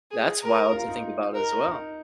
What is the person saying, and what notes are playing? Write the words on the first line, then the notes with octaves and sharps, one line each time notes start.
That's wild to think about as well.
G#4
A#4
F4
D#4
A#4
D#4